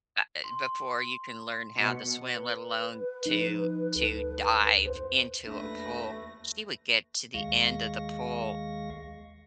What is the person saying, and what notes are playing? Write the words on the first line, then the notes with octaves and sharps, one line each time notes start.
ah, uh, before you can learn how to swim, let alone to to dive into a pool. She would get to the end of the pool,
C6
B2 C#7
B4
F3 D#4
D2 A4
E2 C5
E2 A3 A#3 D4 B4 A#6
D#2 G#3 F5 C#6 A#6